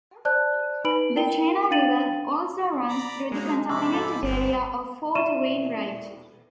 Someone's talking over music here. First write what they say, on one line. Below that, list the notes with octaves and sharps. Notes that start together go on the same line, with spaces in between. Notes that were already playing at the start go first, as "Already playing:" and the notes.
The Chena River also runs through the contaminated area of Fort Wainwright.
C5 D5 A5 F#6
D#4 B4 B5 D7 F#7
E4 A#4 G5 G7
D4 F5 G5 A6 D#7 F#7
D5 A#5 B5
F#3 G#3 A#3 D#4
C3 F3 B5 D6
G#2 A4
G1 G3 B3
E4 D5 E5 C#6 D#7 E7